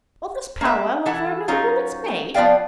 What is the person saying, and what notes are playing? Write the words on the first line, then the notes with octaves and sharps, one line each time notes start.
"All this powwow over another woman's maid!"
A#3 E5
E3 E4 A4 F#5
F#3 C#4 D#4 F4
F3 B3 D5 F5 G5